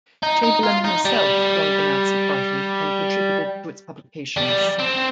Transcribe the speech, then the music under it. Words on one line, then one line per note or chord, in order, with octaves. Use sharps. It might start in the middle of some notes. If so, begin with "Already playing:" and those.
Chamberlain himself joined the Nazi Party and contributed to its publications.
D#4
D#4
F4
D#4
G3
G3
C4